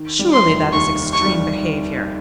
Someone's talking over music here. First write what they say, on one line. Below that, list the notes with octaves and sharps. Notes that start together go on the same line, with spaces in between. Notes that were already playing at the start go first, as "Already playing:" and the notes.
Surely that is extreme behaviour.'
Already playing: D#3
G3
C6
F1
D#2 C#6
D#3
C#6
G3